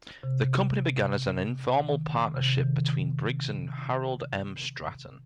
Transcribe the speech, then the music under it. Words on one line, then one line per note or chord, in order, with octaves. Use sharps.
The company began as informal partnership between Briggs and Harold M. Stratton.
C3
D#3
C3
D#3